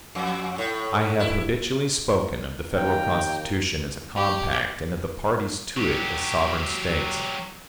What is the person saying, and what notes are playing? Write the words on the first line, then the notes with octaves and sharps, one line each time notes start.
I have habitually spoken of the Federal Constitution as a compact, and of the parties to it as sovereign States.
F2
A2
E4
D#2 A#3 G5 A#5
G4
F#3 G4